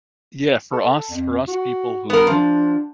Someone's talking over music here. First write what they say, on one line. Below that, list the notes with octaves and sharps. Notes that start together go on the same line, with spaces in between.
Yeah, for us for us people who
A4
F2
F#4
B3 A#4
F3 D4